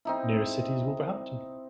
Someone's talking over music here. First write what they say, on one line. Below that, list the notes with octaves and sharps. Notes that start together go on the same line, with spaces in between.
The nearest city is Wolverhampton.
C4 D#4 E4